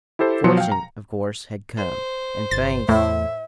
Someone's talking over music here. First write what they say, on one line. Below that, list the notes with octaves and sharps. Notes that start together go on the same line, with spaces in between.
Fortune, of course, had come, and fame.
E4 G4 A4 C5
B2 F3 F#3 C6 C#7
F5 G5
A#5
C5
G1 A6
E2 A2 A3 E5